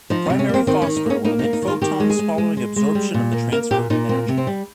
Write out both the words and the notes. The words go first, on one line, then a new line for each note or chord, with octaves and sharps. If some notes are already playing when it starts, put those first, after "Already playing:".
The primary phosphor will emit photons following absorption of the transferred energy.
F3 D#4
C#4
C3
C#4
A#3 C4
D#3 C4
C#4
D#3
D#4
A#3 C#4
A#3 D#4
D#4
A#3
D#4
D#3
F4
D#3 G4
G#3
G#4
G#3
G#3
G#3
G#3
G3
A#2
A#3
A#3 A#4
A#2 G4
A#2 D#4
A#3 C4
C3
C4
G3